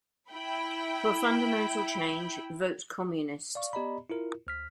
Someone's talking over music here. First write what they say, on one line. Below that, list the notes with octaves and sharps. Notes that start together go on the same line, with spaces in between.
For fundamental change, Vote Communist.
E4 G5 B5
D5 F5 C#6
B3 G4 D5 D#5 A#5 B5
E4 F4 A#4
D2 F6 B6